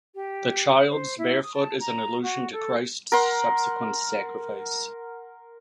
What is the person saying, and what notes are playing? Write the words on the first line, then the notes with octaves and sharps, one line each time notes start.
The child’s bare foot is an allusion to Christ’s subsequent sacrifice.
G4
C5
E4
D#6
A5
A#5
F#4
A4
A#4 F#5 C6